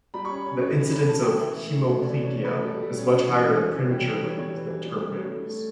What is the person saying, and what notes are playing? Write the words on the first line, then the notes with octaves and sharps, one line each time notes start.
The incidence of hemiplegia is much higher in premature babies than term babies.
G3 B5
C#6
C#4 B5
C#4
C#4
E3
C#4 B5
C#4 A5
C#4 G5
E3 E5
A3
C#4
A3
C#4 D5
E3
C#5
A3
A3 B4
G3 A4
G3
C#4
C#4
E3
C#4
C#4
E3
G3 G4
E3 A4
E3 C#5
G3 C#5
E3
E3
G3
G3
A3 C#5
A3
A3